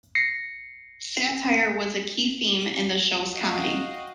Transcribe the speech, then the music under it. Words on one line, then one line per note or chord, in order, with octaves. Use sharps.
Satire was a key theme in the show's comedy.
A#6 C7 C#7
F#4 D#5 F5 G5